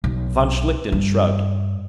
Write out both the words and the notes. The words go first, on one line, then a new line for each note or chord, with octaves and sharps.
Von Schlichten shrugged.
B1
G2